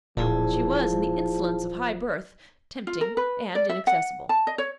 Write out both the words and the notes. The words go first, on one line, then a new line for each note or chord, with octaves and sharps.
She was, in the insolence of high birth, tempting and inaccessible.
D1 A#2 F3 E4 G#4 A5
F4
A#4
B4
D5
E5
F#5
A5
D#5
C#5